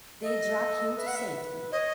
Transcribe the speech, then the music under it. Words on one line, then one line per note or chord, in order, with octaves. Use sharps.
They drag him to safety.
A4 D#5
B4 E5
F#5
E5
C#5 D#5